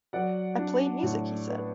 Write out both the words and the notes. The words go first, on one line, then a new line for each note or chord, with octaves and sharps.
I played music, he said.
F#3 D5 F#5
D4
A2
B3